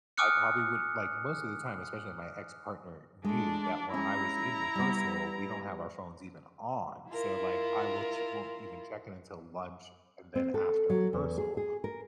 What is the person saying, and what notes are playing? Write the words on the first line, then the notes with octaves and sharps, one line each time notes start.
I probably would like most of the time, especially my ex-partner knew that when I was in rehearsal, we don't have our phones even on. So, like, I will ch won't even check in until lunch, and then after rehearsal.
G#5 D6 D#6 F6 F#6 C#7
G#3 A3 D4
G#3 C#4 E4 A#5
G3 B3
E4 F4 A#4
C4
A4
F#3
E2
G#4
G#4
A#4